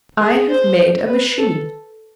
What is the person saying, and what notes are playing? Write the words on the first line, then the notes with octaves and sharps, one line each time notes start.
"I have made a machine!"
G#4
C5
B4
A4